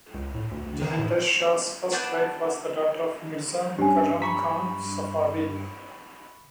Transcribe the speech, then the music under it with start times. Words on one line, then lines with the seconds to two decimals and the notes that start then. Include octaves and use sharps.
Jahandar Shah's first wife was the daughter of Mirza Mukarram Khan Safavi.
0.14 C#2
0.34 A2
0.51 D2
0.66 D2
0.81 D#3
0.99 A2
1.92 B3 D4 A5 G6
3.78 G2 C#4 D4 G4 G#5
4.22 A#5 B5 C#6 B6